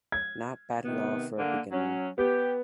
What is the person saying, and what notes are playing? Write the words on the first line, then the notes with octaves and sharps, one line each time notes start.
Not bad at all for a beginner.
G#6
C3 D#3 B3
D3 A#3
F#3 C#4
B3 G4